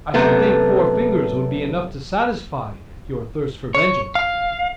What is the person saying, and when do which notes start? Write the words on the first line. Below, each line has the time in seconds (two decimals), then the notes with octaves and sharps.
I should think four fingers would be enough to satisfy your thirst for vengeance.
0.14 F#2 C3 A3 B3
3.75 C#5
4.15 F5